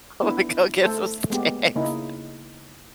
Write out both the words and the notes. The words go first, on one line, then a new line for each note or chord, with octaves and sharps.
"I'm gonna go get some snacks."
B3 D4 E4
A3 A4 C5
G#3 A#3 B3 G4
C#3 A#3 D#4 E4